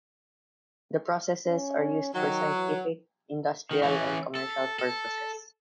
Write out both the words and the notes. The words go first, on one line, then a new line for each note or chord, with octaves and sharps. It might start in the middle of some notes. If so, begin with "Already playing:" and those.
The processes are used for scientific, industrial and commercial purposes.
C#4
D#3 F#3
E3
D#3
E3 C#4
A4
A4